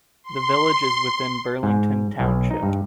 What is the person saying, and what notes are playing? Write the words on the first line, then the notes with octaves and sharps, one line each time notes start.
The village is within Burlington Township.
C6
G#2
B1
D#4
G2